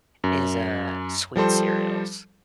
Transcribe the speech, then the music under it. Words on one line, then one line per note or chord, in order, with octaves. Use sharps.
is, uh, sweet cereals.
F#2
F3 G3 A4 C5